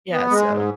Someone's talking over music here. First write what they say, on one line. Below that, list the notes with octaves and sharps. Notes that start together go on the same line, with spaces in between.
Yeah. So
B3
G#3
G#2